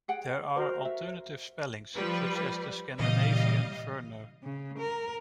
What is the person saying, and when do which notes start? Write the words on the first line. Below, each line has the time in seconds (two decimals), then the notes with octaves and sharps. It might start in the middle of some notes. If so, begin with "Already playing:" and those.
There are alternate spellings, such as the Scandinavian "Verner".
0.08 G#4 F#5 G5
0.56 F#4 A#4 C5
0.85 E5
1.95 F3 G3 B4
3.00 A#2 C#3 E3 G3 D#5 F5
4.43 C#3
4.79 A#4